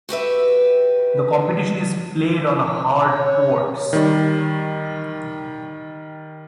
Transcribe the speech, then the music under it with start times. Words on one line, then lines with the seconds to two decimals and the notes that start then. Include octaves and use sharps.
The competition is played on hard courts.
0.09 F#4 G4 B4 E5
3.09 C#5
3.93 D#3 G3